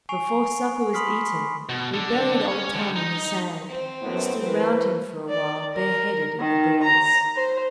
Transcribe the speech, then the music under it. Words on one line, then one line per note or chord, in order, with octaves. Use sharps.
Before supper was eaten we buried old Tom in the sand and stood round him for a while bare-headed in the breeze.
G#5 C#6 C7 D7 F7
B5 C6 D#6 F6 B6 C7
B2
D3 D4
C#4 C#5
D3 G3
D#4
C4
F#2 A2 B3
E3 A#4 B4
D5
A#4
D#3
A#5
C5